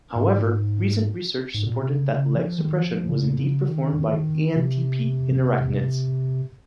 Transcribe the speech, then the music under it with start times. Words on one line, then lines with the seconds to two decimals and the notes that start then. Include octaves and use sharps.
However, recent research supported that leg suppression was indeed performed by Antp in arachnids.
0.15 G#2
1.54 G#2
1.66 A#2
1.79 C3
1.92 C#3
2.14 C#3
2.36 F3
2.58 D#3
2.80 F3
3.09 C#3
3.38 C#3
3.68 D#3
4.12 D#3
4.56 C3